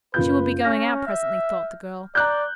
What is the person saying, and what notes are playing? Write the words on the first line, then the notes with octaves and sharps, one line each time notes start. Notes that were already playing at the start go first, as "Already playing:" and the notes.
"She will be going out presently," thought the girl.
F#1 F4 B4 G6
C#4 F6 A#6
E5
D5 A#5 F#6 G6